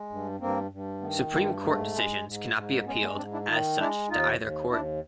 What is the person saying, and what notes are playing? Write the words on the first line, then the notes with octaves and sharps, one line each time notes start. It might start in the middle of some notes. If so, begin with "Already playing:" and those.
Supreme Court decisions cannot be appealed, as such, to either court.
Already playing: G#3
G2
G2 A#3 C4
G2
D#3 A3 B3
A3 B3
G2 G#3 A#3
A3
G#2 A3
G#3
G#2
G#2
G#3 B3 C#4
A3 B3
G#2 C4 D4
D4 E4
D#3 D#4 F4
G#3 D4 E4
D#2 D#4 F4
D#2
D#2 D4 E4